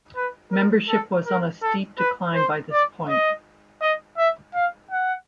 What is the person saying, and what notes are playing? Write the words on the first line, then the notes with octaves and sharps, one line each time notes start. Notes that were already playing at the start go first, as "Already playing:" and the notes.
Membership was on a steep decline by this point.
B4
A#4
A4
A#4
A4
B4
C5
D5
D#5
D#5
E5
F5
F#5